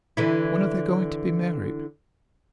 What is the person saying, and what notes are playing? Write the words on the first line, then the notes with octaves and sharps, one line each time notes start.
When are they going to be married?'
D3 E3 E4